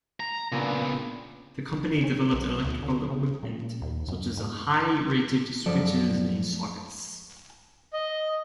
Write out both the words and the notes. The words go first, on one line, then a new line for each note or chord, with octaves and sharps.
The company developed electrical equipment such as high rated switches and sockets.
A#5
A#2 C#3 B3 D4
C#4
B1
D2
D3
C#3
A#2
D#2
F#2
G#2
F#2 F3 A4 C5 D5
D#5